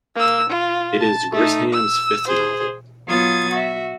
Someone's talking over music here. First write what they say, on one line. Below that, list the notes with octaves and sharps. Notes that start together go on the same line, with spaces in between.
It is Grisham's fifth novel.
A#3 E6
F4
A5
A3 D#4
E6
G#4 C5
F#3 B3 F4 D#6 G#6 A6
F#4 E5